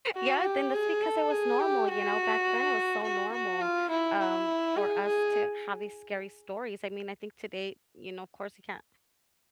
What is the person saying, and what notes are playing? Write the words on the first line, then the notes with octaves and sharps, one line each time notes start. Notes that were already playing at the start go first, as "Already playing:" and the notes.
yeah then that's because it was normal, you know, back then, it was so normal, um, for us to have these scary stories I mean, I think today you know, of course, you can't
F#4
G4
G#4
A4
G#4
G4
F#4
F#4
F#4
F4
E4
E4
G#4
G#4